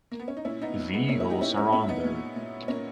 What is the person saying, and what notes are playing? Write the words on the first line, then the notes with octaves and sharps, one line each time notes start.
The Eagles are on there.
A#3
B3
C#4
D#4
A#2 C#4 E4
B3 D#4
A#2
G#3 B3
A#2 A#3 C#4
C#4 E4
D#4 G4
A#2 C#4 E4
C#4 E4
A#2 C#4 E4
E4
B3 D#4
A#2
A#2
A#2 A#3 C#4